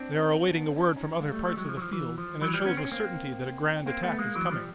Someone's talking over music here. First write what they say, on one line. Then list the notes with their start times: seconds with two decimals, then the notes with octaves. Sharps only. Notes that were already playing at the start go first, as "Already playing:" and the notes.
They are awaiting the word from other parts of the field, and it shows with certainty that a grand attack is coming.
Already playing: C4 D4
0.56 B3
0.65 C4
0.76 C#4
0.86 D4
0.96 C#4 D#4
1.20 G#3 A#3
1.32 G3 A3
1.45 G3 A3
1.57 F#3 G#3
1.69 F3
1.77 F#3
1.82 F3
1.93 E3
2.18 F3
2.41 E3 F#3
2.54 F3 G3
2.65 B3 C#4
2.77 C4
2.85 C#4
2.92 A#3 C4
3.86 A#3 C4
4.03 A3 B3
4.19 G#3 A#3
4.35 E3 F#3
4.51 F3 G3